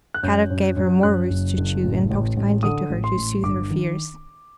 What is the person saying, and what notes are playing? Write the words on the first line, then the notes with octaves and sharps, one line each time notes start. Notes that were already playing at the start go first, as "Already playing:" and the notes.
Kadok gave her more roots to chew and talked kindly to her to soothe her fears.
F#6
F#2 G6
F#2
F#2
F#2 F#6
F#1
F#1
A1
A1
A1
D3 D#6
A1
C6
A1
G1 D6
D#3